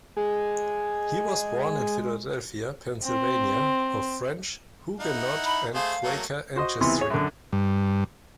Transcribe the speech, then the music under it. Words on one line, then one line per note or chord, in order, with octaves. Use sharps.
He was born in Philadelphia, Pennsylvania, of French Huguenot and Quaker ancestry.
G#3 G#4
C4
D#4 E4 F#5
B5
A3 G#4 C5 F5
F#3 A3 A#3
F#4 C5 D#5
C#2 C3 E3 B3 C6
G#4 C#5
F#2 D3
G2